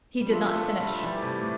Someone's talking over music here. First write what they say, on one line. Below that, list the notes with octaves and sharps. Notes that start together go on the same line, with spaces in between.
He did not finish.
G3
F3 D4 F4 A4 E5
A3
G3
E3 A3 E4 G4 D5
C3
A2